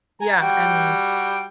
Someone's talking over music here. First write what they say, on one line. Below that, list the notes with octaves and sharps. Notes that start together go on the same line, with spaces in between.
Yeah, and
G#5 A#5
G3 F#4 G5